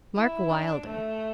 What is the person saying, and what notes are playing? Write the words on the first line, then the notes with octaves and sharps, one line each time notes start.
Mark Wylder!
E4
D4
A3